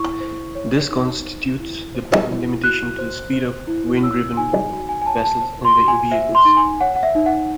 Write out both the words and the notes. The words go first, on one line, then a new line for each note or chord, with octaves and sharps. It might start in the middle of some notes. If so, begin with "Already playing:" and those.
This constitutes the main limitation to the speed of wind-driven vessels and vehicles.
Already playing: E4 C#6
C5
C#5
D#4
C5
E4
C5
E4
F#4 F#6
C5
C5
E4
C#5 E6
D#4 G#5
F#4 G#5
G#5
G#5
C#5 A5
A5
C5
C6
F#4
G#5
C5 E5
C6
D#4
G#5
C#5 F#5
F#5
E5
D#4
F#5